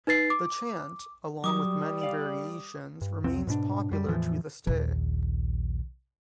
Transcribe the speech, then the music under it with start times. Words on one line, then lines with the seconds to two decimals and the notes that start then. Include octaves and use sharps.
The chant, along with many variations, remains popular to this day.
0.07 D#4 B4 A6 C7
0.30 D6
1.44 F#3 G3 D6 D#6
2.01 D5 F5
3.01 G2
3.24 C2 F2 C4
3.47 G#2 B2 C#4 D4
3.91 F#2 G3
4.07 E2 A2 E3 F3
4.67 A#1 D#2